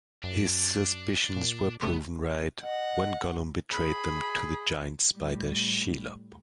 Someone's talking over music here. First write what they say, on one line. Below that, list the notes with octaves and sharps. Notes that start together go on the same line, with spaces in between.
His suspicions were proven right when Gollum betrayed them to the giant spider Shelob.
F#2 D4
A#2
G#1 C3 A3 B3
D#5 F#5
G#4 B5
A2 G3